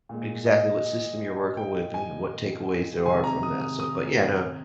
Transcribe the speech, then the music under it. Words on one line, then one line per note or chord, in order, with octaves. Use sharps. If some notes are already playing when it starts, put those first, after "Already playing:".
exactly what system you're working with and what takeaways there are from that, so, but yeah no,
A#2 G#3
D#5
G5
G#5
C3 D#3 G#3 G#5
A#5
D#6
D#6
D#6